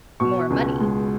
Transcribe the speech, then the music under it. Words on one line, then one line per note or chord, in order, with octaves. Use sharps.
more money.
B2 C#6
C#2
G#3